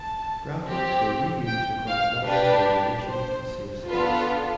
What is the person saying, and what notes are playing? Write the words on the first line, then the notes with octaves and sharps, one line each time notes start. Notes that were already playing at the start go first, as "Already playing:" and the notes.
Graphics were reused across levels and animations to save space.
Already playing: A5
C4 G4
G5
F5
D4 G4 B4
C5
B3 D4 F4 A4 B4